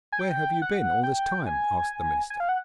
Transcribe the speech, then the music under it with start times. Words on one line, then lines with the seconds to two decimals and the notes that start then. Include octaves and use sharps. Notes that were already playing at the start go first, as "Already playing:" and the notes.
'Where have you been all this time?' asked the minister.
0.12 G#5
0.19 G5
0.62 F#5
1.04 G5
1.46 G#5
2.30 G#5
2.40 F5
2.49 F#5